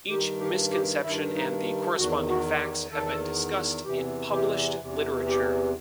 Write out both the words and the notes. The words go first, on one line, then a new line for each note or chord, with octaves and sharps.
Each misconception and the corresponding facts have been discussed in published literature.
G2 D#3 G4
G4
G4
G2 D#3 E4
D#4
E2 D#3 F#4
F#4
G4
E2 D#3 A4
E2 C3 E3 G4
G4
E2 C3 E3
G4